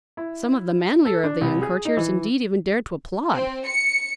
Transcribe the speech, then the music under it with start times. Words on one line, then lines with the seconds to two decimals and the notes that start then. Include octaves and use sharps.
Some of the manlier of the young courtiers indeed even dared to applaud.
0.17 E4
1.05 A4
1.24 D4
1.41 C2
1.62 G#4
1.85 D#4
1.97 E3
3.33 C4
3.67 C#7